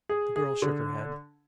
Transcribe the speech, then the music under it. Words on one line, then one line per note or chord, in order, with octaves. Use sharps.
The girl shook her head.
G#4
G#4
D3